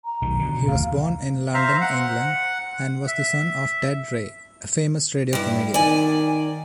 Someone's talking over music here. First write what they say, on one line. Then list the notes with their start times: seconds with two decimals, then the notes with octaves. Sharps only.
He was born in London, England and was the son of Ted Ray, a famous radio comedian.
0.05 A#5
0.22 B1 D#3
0.39 B2 D3
0.68 F1 D2 F5
1.54 C5 E5 F5 A#5
1.81 F#5
3.07 E5
5.33 G2 E4
5.74 D#3 D5 G#5